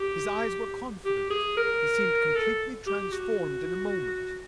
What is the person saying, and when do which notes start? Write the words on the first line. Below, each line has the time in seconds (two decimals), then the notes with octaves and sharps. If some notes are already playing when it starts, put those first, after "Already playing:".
His eyes were confident. He seemed completely transformed in a moment.
Already playing: G4
1.05 G4
1.30 G#4
1.57 A#4
2.35 A4
2.87 G4
3.12 F#4